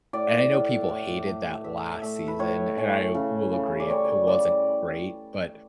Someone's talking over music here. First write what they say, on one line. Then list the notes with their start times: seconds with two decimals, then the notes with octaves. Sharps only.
and I know people hated that last season and I will agree it it wasn't great, but
0.13 A2 D5
0.51 A2
0.89 A2
1.26 A3
1.64 A2 E5
2.02 A3 E5
2.27 B4
2.39 A2 C#5
2.78 E3
3.14 C#3
3.52 C#3
3.80 D5
3.90 G3 C#5
4.04 C#5 D5
4.28 C#3 D5